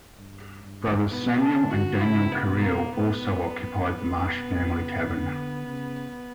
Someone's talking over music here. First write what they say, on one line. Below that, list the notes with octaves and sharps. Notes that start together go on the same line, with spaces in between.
Brothers Samuel and Daniel Carriel also occupied the Marsh family cabin.
G2
G2
B2 B3
D4
D3
F#4
C#3 E4
B3
B2
A#3
B2 B3
F#2
B2
C#3
D3
C#3